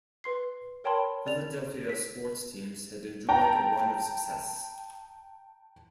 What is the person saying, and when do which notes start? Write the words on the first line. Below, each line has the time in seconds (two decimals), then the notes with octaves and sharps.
Philadelphia sports teams had enjoyed a run of success.
0.24 B4 C6 C7
0.84 A#4 C#5 G5 A5 B5 C6
1.27 D5 F7
1.89 B6
3.29 G5 A5 A#5